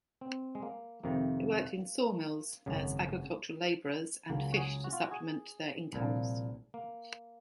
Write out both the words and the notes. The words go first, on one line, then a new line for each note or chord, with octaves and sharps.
They worked in sawmills, as agricultural laborers, and fished to supplement their incomes.
C4
G#3
A#3
F2 C3 D#3 A#3
G#1 F#2 C#3 F#3
C#2 C#3 F#3 A#3
F#4
G#4
F#4
F4
F#4
G#4
C2 A#2 F3
A#3